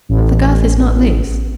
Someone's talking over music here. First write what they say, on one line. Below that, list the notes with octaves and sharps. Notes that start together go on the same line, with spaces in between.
"But the girth is not loose."
A1